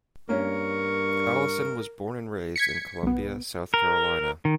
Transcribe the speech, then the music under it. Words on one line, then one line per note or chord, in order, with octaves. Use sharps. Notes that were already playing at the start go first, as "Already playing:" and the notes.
Allison was born and raised in Columbia, South Carolina.
G2 A#3 C#4 A#4 C#6
G#6 B6 C#7
B1 B3
A#4
D#3